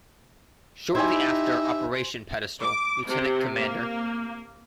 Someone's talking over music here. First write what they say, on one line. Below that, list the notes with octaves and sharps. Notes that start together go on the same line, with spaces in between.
Shortly after Operation Pedestal, Lt.Cdr.
D#4 E4 G4 C5 E5 G#5
D6
C3
A#3